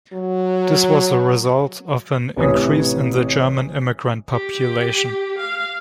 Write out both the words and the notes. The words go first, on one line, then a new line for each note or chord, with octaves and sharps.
This was a result of an increase in the German immigrant population.
F#3
A1 C3 E3 B4 C#5 D#6
G4
F5